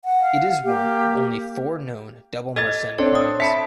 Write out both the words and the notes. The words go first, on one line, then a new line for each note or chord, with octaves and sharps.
It is one of only four known double Mersenne primes.
F#5
F5
A#3 G4
A4 D#5 G#6 A6
C4 D4 A4 C#5
D#6
E5 A5 B5 B6 C#7